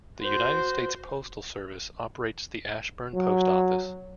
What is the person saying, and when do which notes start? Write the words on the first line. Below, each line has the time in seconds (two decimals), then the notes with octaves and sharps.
The United States Postal Service operates the Ashburn Post Office.
0.20 F#4 C5
3.15 F#3